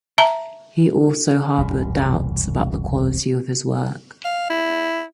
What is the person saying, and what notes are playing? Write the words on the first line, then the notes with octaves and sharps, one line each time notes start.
He also harbored doubts about the quality of his work.
E5 A5 A#5
E1 C2 F#2 A#2
F5
E4